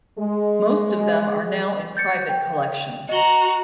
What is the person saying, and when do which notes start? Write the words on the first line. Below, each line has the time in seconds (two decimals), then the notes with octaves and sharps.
Most of them are now in private collections.
0.19 G#3
1.97 G6 A6 C#7
2.29 G5
3.09 F#4 D#5 A#5 G7